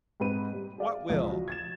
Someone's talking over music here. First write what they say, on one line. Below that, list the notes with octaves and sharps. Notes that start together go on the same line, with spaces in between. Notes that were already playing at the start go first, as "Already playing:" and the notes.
"What will?"
G#2 C4 B4 D#7
G3
G#4 D5 F5
C#2 F3
F#4
G#6 A6 E7